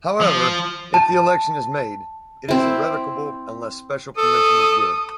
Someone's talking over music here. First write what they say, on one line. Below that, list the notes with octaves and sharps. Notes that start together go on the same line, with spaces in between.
However, if the election is made, it is irrevocable unless special permission is given.
F3
A5
C4 E4
A4 D#6